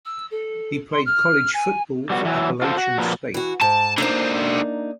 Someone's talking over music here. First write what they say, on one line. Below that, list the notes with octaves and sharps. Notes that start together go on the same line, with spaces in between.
He played college football for Appalachian State.
E6
A4
C6
F6
G#5
G3 B3 F#4
E3 F#3
F4 F#4 A4 B4 C5
F#4
A#2 F3 F#4 A#4 B4
E3 F#4
G#2 A5
D3 A#3 D4 D#4 C5